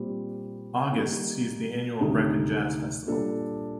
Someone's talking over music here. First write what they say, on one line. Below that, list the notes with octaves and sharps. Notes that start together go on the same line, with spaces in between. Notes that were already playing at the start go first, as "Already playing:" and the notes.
August sees the annual Brecon Jazz Festival.
Already playing: A#2 G3 C4
D#3 G3 A#3 D#4
D2 C3 D#3 A3 D#4
A#2 G3 D4 A4